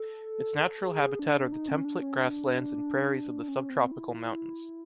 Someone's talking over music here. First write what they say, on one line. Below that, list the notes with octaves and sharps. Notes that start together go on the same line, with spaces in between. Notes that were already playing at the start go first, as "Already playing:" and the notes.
Its natural habitat are the template grasslands and prairies of the subtropical mountains.
Already playing: A4
G#4
D4
D#4
C#4
D4
C#4
D4
C#4
C4
E4